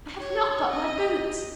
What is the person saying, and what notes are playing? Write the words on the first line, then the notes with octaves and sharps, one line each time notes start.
I have not got my boots!
C#5
D#5